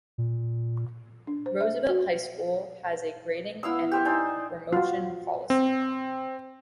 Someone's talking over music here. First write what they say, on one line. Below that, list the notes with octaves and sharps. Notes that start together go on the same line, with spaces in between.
Roosevelt High School has a grading and promotion policy.
A#2
D4
C5
E5
F#4
B3 E4 F5 E6
G4 C5 E5
D#4 C5 D5 G#5
F4 F#4
C4